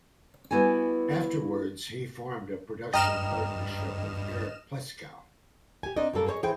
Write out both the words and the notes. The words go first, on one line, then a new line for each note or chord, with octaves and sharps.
Afterwards, he formed a production partnership with Eric Pleskow.
G3 B3 E4 F#4 G#5
G2 D#5 G5 A#5 F6 E7
G4 G#5
C4 D4 D#4 D5 D#5
F#2 G3 A#3 A4 A#4
G#4 A#4 C5 C#5 D#5
E3 G#4 C5 G5